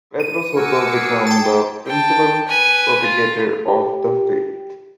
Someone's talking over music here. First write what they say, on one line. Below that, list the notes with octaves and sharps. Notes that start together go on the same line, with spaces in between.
Pedro Soto, he became the principal propagator of the Faith.
D#7
F#4 A#4 G#5 D6 E6 C#7
G#4
G5 A5
G5 A5
B4 G#5
F4
G4